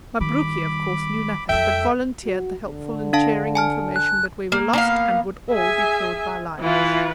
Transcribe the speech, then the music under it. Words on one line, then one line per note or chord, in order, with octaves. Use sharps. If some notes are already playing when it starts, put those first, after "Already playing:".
Mabruki, of course, knew nothing, but volunteered the helpful and cheering information that we were lost and would all be killed by lions.
D#3 G3 B5 D6
F2 G3 A4 E5 G5
F#4
D3
D4 F5 A5
G#5 A5 F6
F#6
A#3
A#3 B3 F5
G#4 E5 G#5
E3 E4 F4 B4